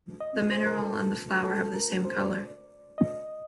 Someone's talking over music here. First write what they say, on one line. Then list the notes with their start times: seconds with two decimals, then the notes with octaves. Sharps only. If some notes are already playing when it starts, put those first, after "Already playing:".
The mineral and the flower have the same color.
0.21 D#5
0.51 C5
0.66 A#4
0.82 A4
1.44 A4
1.74 A#4
2.05 C5
2.20 D5
2.98 D#5